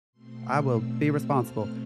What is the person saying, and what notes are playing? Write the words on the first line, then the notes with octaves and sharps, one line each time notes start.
I will be responsible,"
B2 A3 C4 C6
E6
F6